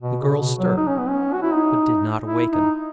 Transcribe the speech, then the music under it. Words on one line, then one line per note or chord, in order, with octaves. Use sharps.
The girl stirred, but did not awaken.
B2
C#3
B2
F#3
D#4
C#4
B3
C#4
F#4
E4
D#4
E4
D#4